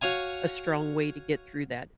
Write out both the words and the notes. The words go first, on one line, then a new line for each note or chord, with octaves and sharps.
a strong way to get through that
F#4 C#5 F5 G#5